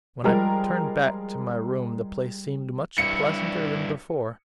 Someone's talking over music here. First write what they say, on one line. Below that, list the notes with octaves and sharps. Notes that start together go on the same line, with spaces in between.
When I turned back to my room the place seemed much pleasanter than before.
F3 G3 G#3 A#4
G2 E4 C#7